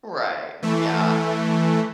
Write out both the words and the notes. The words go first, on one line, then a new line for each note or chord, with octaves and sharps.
Right, yeah.
E3 A3